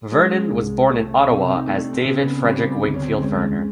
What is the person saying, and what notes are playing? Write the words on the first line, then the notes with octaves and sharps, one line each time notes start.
Vernon was born in Ottawa as David Frederick Wingfield Verner.
G#3 C#4
C2
A3
C3
D#4
A3 D4
C4
C#3
B3
G3 C4
D2
C#4
C4
G#3 C#4